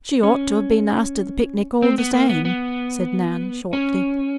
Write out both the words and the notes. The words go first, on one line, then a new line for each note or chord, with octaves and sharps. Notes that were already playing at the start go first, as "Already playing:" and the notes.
"She ought to have been asked to the picnic all the same," said Nan shortly.
C#4
C4
B3
A#3
B3
B3
C#4